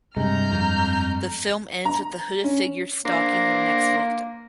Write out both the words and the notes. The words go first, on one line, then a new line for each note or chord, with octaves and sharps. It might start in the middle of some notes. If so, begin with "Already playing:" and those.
The film ends with the hooded figures stalking their next victim.
G2 C3 G#3 A#5 F6 G6
F2
A#5
C#4
A#3 D4 A#4 C5